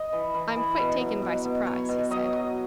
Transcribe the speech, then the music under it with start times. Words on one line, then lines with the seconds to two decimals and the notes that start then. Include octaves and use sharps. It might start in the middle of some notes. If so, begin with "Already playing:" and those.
"I'm quite taken by surprise," he said.
Already playing: D#5
0.13 E3
0.34 E3
0.56 E3
0.78 B2
1.00 F#3
1.22 B2
1.45 B2
1.66 F#3 C#5
1.89 B2
2.11 F#3 D#5
2.33 F#3